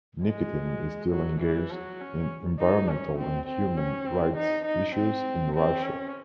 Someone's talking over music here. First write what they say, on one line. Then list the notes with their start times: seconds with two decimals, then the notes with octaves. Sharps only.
Nikitin is still engaged in environmental and human rights issues in Russia.
0.23 G#3
1.11 F#3
1.41 E3
1.71 F#3
2.01 C#4
2.59 D#4
2.89 C#4
3.18 C4
3.48 C4
3.77 C#4
4.06 C4
4.37 D#4
4.65 D#4
4.95 C4
5.55 C4
5.83 C#4